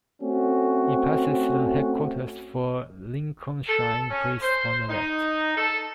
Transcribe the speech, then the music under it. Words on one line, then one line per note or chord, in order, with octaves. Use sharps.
It passes the headquarters for Lincolnshire Police on the left.
A3 C4 C#4 F#4
A4
C#4
C5
D#4
A4